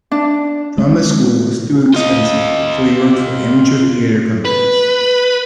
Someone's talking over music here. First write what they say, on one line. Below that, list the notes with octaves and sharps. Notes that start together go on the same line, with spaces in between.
Drama school was too expensive so he worked for amateur theatre companies.
D4
G#3
F4 D#5
B4